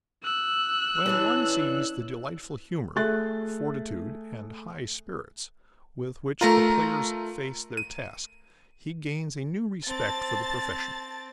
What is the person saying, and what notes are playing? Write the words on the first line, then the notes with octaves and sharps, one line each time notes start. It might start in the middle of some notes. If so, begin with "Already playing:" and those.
When one sees the delightful humour, fortitude, and high spirits with which the players face their task he gains a new respect for the profession.
E6 F#6
E3 C#4 D4
A3 G#4 E5 F#6 A6
A3 F4 A#4 A#5
D#7
C4 A5 A6